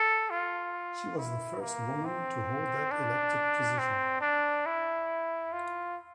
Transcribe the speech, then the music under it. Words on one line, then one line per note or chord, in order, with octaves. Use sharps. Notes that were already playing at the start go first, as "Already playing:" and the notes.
She was the first woman to hold that elected position.
Already playing: A4
F4
E4
A#3
C4
D4
C4
D4
E4
F4